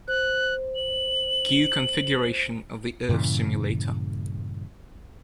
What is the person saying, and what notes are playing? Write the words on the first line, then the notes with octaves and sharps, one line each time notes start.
Queue configuration of the Earth Simulator.
C5 F#6
F#7
G2 A#2 C#3 E3